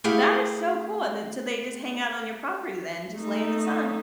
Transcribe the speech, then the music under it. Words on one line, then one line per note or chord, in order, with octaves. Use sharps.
That is so cool, and then so they just hang out on your property then, just lay in the sun.
A3 E4 G4 G#4 F5 F#5
A3 D#4